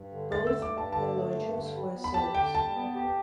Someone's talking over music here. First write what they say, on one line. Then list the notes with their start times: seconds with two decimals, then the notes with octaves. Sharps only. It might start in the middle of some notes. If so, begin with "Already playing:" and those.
Both of the lodgers were sailors.
Already playing: G2
0.12 D3
0.32 A3 A6
0.47 E6
0.52 G2
0.62 D6
0.72 G2
0.78 A5
0.92 D3 A5
1.14 A3
1.33 G2
1.53 D3
1.74 G3
1.94 B3
2.04 B5
2.14 G4 A5
2.35 D3 G5
2.55 G3 A5
2.75 B3
2.95 G4